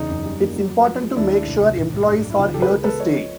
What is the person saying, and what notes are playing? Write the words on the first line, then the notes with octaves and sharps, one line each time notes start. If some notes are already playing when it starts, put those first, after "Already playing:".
It's important to make sure employees are here to stay.
Already playing: E2 C#3 D#4
F#2
G3
A#3
F#3
F#3
F3
G#3
D#2 D4 E4
A3
C2
C2
A2
A2
G2
F#3
E4
C#2 D#4 F4
C#2 G4 A4
B4
G#3 G#4 A#4
B3 A4 B4
F3 C#5 D#5